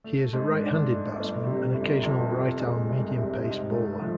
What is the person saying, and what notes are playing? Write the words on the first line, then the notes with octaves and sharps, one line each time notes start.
He is a right-handed batsman and occasional right-arm medium-pace bowler.
A3
G#2
D4
A3
G1
C3
G1
F2
C3
G#3
C2
C3
G#2
A3
F3